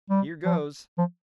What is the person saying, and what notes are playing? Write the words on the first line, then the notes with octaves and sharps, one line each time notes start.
"Here goes!"
G3
F3
F3